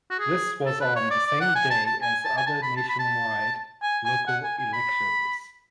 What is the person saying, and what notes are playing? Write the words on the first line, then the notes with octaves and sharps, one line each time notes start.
This was on the same day as other nationwide local elections.
F#4
G#4
A4
B4
C#5
D5
D5
F#5
G#5
A5
A5
G#5
A5
G#5
A5
B5
A5
B5
A5
G#5
G#5
F#5
G#5
G#5
B5